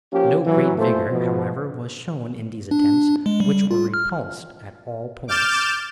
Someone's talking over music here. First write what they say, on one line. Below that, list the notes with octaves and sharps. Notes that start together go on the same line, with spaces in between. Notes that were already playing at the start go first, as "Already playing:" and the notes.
No great vigour, however, was shown in these attempts which were repulsed at all points.
F3 A#3 C#4 G4
E3 F#3
A#2 E3 A3 F4 A4 C5
B2 F3
D4
G#3
G3
F4
F6
D6 F6 G6 A6 E7